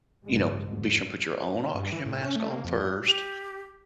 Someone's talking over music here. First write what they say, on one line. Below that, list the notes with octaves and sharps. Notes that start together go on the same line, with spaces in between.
you know, "Be sure to put your own oxygen mask on first,
A1 G2 C#3 G3 G#3
E2 G#2 D3
G2
E3
A2
C#4
A3
A#3
F2
G4